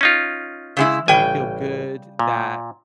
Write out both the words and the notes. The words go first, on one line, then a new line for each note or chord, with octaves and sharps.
it just made me feel good that
C#4 D#4 F4
C#3 G#3 E4
A1 C#3 G3 G5 G#5
A#2